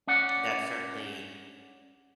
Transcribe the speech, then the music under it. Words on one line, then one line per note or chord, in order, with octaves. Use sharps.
that certainly,
C#4 D5 F#5